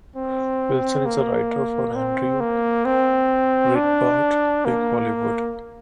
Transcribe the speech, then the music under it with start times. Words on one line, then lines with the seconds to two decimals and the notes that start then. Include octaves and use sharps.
Wilson is a writer for Andrew Breitbart's "Big Hollywood".
0.16 C4
1.05 A#3
1.96 C4
2.40 A#3
2.86 C4
3.76 D4
4.65 A#3